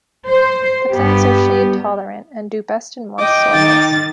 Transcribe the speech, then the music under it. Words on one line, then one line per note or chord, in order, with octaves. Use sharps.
The plants are shade-tolerant and do best in moist soils.
C5
G2 B3 G4
D#5 G5 D6
D#3 A6